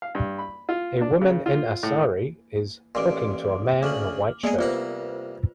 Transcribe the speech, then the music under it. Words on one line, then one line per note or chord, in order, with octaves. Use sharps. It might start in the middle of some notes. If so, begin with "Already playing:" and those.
A woman in a sari is talking to a man in a white shirt.
F5
G2
B5
F4
D4
C#3
F4
A2
A1 A#2 C6 D6 D7
D2 C#3 D6 F6 F#7
G#3 A#3 B3 G#4 D5
C2 A#3 F4 B4 C5 F#5